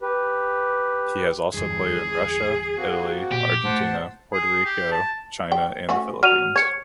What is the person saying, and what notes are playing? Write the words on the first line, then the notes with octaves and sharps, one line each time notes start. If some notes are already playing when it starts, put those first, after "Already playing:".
He has also played in Russia, Italy, Argentina, Puerto Rico, China and the Philippines.
G4 B4
G1 E2 G#4
A#3 C4 F#4
A#2 G4
A2 A3 C5 F#5 A5
G#4
G4
A5
G5
A3 C#4 F#4
F#3 F6 D#7 F7
C#5 G#6 C#7